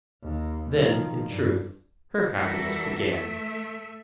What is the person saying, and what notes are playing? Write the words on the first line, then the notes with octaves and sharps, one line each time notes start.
Then, in truth, her happiness began.
D#2
D#3 F3
G2
E3 G3 F#4 A4 A#4 E5
A3 E5